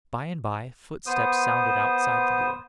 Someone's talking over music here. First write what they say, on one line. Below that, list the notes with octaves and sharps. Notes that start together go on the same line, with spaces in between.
By and by footsteps sounded outside the door.
B3 C5 D#6